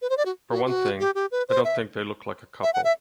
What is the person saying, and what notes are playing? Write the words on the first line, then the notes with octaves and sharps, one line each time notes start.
For one thing, I don't think they look like a couple.
B4
C5
D5
F#4
F#4
F#4
G4
G4
B4
C5
E5
E5
F#5
E5